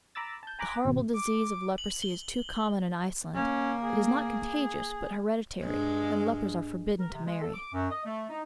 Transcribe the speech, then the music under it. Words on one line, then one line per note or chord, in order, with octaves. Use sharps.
The horrible disease of leprosy is too common in Iceland; it is not contagious, but hereditary, and lepers are forbidden to marry.
A#5 B5 D6 E6 A6
A5 G6
G#5 A#5 B5 D6 F#6
G#1 B2
D6
F#7
G7
A#3 C#4
G#4
G2 G#3
A#4
C3
G#3
A4
D6
F#2
D#5
A3
D#4